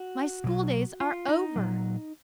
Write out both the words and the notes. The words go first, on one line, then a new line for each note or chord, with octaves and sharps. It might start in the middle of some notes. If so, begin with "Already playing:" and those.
My school-days are over!
Already playing: F#4
B2 F#3
F4
D#4
A#2 F#3